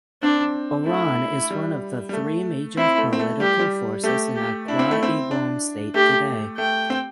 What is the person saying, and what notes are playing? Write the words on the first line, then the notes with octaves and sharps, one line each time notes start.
Oron is one of the three major political forces in Akwa Ibom State today.
C4 D4
A3 E4
G3
G3
A3
C4 E4
A3
C4
A3
G3 G4
G3
A3 G4
G4
D4 E4
C4
A3
C4
D4
A3 G4
A3 G5
C4